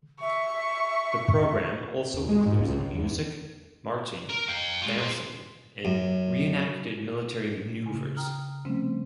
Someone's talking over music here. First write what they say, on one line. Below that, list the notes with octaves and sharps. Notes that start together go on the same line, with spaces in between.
The program also includes music, marching, dancing and re-enacted military maneuvers.
E5 C#6
D#2
G#3
G#2
C#2
E2
A#4
F5 G5
G#3 F4
G#4 C5
F#2
C#3 G#5
G5 A#5 D#6 F6
C3 F3 G3 A3 C4 C#4